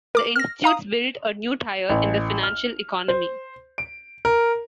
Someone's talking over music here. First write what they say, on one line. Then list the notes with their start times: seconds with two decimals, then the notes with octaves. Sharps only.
The institutes built a new tier in the financial economy.
0.15 A#4 D6
0.36 F6 A#6
0.64 F5 A#5 D#6
1.90 A1
2.43 F6
3.08 C5
3.78 D7
4.25 A#4